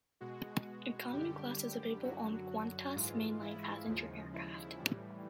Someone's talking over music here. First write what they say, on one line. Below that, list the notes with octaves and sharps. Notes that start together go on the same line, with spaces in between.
Economy class is available on all Qantas mainline passenger aircraft.
B2 G#3 F#4
F#2 D3 G3 G4
F#2 D3 F#3 F#4
G#2 E3 G#3 F4
E4
D#2 C#3 F3 G#3
E4
A2 E3 G3